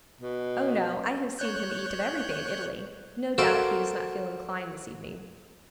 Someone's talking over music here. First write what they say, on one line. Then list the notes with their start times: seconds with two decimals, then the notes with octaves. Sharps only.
"Oh, no; I have seen him eat of everything in Italy; no doubt he does not feel inclined this evening."
0.21 B2
1.39 C#5 F#6 G6
3.38 F#4 A4 A#4 C5 D5 F5